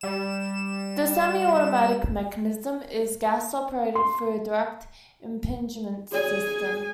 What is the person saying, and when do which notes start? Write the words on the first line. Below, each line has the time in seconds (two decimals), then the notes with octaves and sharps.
The semi-automatic mechanism is gas-operated through the direct impingement system.
0.01 G3 E7
3.95 C6
6.12 F#4 G#4 C#5 D5 G#5